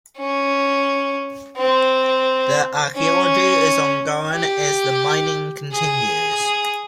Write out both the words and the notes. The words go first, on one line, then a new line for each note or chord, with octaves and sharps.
The archaeology is ongoing as the mining continues.
C#4
C4
C#4
G4
G#4